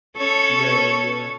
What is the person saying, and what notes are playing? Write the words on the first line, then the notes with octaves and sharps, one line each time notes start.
Yeah, yeah, yeah.
C#4 A4 C#5